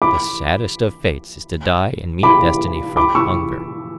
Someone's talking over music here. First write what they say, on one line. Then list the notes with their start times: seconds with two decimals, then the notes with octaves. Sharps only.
'The saddest of fates is to die and meet destiny from hunger?'
0.02 B5 D6
2.23 B5 D6
2.97 B5 D6
3.15 C#6 E6